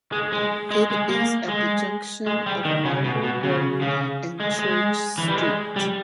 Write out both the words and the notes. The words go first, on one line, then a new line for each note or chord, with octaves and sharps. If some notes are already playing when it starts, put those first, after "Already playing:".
It is at the junction of Harbour Road and Church Street.
G#3
G#3
G#3
G#3
A#3
G#3
G#3
G3
D#3
C#3
B2
B2
C#3
C#3
G#3
G#3
E3
G3
G#3
G3